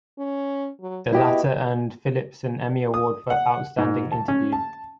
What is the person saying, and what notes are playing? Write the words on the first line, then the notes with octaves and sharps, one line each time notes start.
The latter earned Phillips an Emmy Award for Outstanding Interview.
C#4
F#3
B2 E4 G4 D#5
D#6
F#5
G#2
A5
C#4
A5